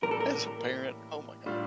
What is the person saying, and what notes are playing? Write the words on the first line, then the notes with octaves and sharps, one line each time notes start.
As a parent, oh my god.
A2 E3 G3 A#3 C#4 A#4
A4
A#4
A2 G3 D4 F4